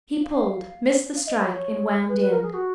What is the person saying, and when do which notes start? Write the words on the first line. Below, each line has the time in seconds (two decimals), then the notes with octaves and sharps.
He pulled, missed the strike, and wound in.
0.24 F5
1.16 F5
1.27 D#5
1.39 C#5
1.50 C#5
2.08 B4
2.19 B4
2.30 A#4
2.42 G#4
2.53 F#4